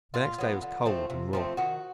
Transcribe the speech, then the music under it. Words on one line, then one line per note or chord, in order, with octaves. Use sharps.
The next day was cold and raw.
A#2 F4
F#3 B3
D3
F3 A3 C4
C3
F3 A3 C4
D#3 F#4